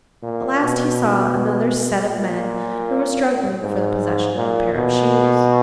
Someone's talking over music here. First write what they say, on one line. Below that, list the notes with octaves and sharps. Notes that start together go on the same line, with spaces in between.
At last he saw another set of men, who were struggling for the possession of a pair of shoes.
A#2
B2
A#2
G#2
A#2
B2